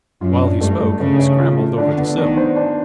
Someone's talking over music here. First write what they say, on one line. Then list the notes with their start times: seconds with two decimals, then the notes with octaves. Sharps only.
While he spoke, he scrambled over the sill.
0.21 F#2 F4
0.42 D4
0.61 G2 A3
0.80 A3
1.00 C#3 A3
1.19 A3
1.40 F4
1.59 A3
1.78 D3 D4
1.97 B3
2.18 D#3 D4
2.37 C5
2.56 D4